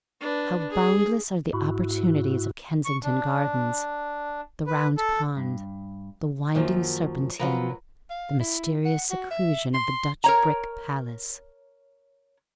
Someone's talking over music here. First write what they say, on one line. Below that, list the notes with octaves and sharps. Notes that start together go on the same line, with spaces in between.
How boundless are the opportunities of Kensington Gardens--the Round Pond, the winding Serpentine, the mysterious seclusion of the Dutch brick Palace!
D4 B4
G#4
G#2 E4 F#4
C#6
D4
B4
A4
G2
F#2 D#3 F3 F#3 A#3
F3 F#3 C#4 A#4 B4
F5
E4
F#5
F#4
E5
C6
A#4 C#5 A#5